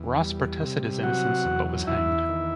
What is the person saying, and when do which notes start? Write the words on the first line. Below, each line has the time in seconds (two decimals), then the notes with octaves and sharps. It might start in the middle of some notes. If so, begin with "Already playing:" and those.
Ross protested his innocence but was hanged.
Already playing: E2
0.20 G3
0.62 C3
1.03 F#3 F#4 F#5
1.45 E2
1.87 E2 E4 E5
2.29 D#3